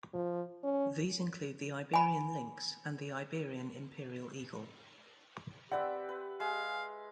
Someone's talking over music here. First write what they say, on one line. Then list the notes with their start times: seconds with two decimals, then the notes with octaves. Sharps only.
These include the Iberian lynx and the Iberian imperial eagle.
0.14 F3
0.64 C#4
1.94 G#5 B5
5.71 C4 G4 B4 D5 E5 F#5
6.09 B4
6.40 G#3 F5